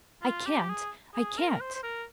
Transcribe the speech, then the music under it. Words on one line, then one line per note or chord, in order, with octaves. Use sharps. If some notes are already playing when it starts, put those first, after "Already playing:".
"I can't--I can't!"
F4
G4
G#4
G#4
A#4
C5
C5
A#4